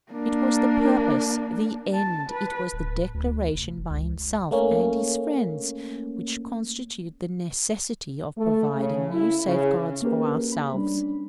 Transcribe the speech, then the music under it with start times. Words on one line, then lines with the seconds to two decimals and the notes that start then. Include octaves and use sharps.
It was the purpose, the end, it was the declaration by himself and his friends, which constitute the necessity of providing new safeguards for ourselves.
0.12 A#3 D4
1.95 A5
2.30 B4
2.73 D1
3.14 D2
3.54 F1
3.90 C#2
4.51 A3 A#3 C#4
8.36 A3
8.77 C#3
9.10 E4
9.45 C#3
10.02 A#3 C#4 G4 G#4 A#4 B4
10.52 B5
10.74 G3 C#4 D4